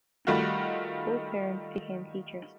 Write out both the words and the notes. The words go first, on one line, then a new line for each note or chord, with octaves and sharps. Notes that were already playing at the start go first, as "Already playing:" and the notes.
Both parents became teachers.
D#3 G3 A3 F4 F#4